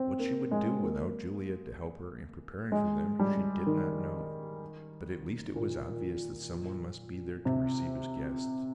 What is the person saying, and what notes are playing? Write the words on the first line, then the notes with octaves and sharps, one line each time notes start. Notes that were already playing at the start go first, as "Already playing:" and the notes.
What she would do without Juliet to help her in preparing for them, she did not know, but at least it was obvious that some one must be there to receive his guests.
Already playing: C4
A#3
G#3
A#3
G#3
G3
D#3
A#2
C3